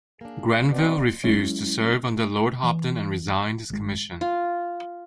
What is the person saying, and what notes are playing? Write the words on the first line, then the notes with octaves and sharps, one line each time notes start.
Grenville refused to serve under Lord Hopton and resigned his commission.
A#3 D4 G#4
B2 C4 D5
F#3 G#3 C#4 E4
E3
G#1 G#3
F4